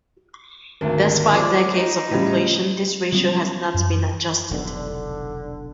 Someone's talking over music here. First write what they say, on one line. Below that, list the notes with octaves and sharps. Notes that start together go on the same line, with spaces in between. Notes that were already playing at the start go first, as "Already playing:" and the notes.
Despite decades of inflation, this ratio has not been adjusted.
G#1 D2
F3 D5
D#4
A2 C#3 G3
F#3 G3 B3 C#4
F#2
F1 B1 E2 D3